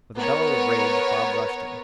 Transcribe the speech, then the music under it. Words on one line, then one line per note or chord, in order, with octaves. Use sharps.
With a bellow of rage, Bob rushed him.
B3 A#4 C#5